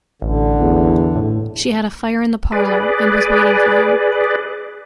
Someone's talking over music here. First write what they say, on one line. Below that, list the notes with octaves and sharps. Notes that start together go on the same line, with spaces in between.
She had a fire in the parlour, and was waiting for him.
A1 D3
E2
A2
G#4 B4 D5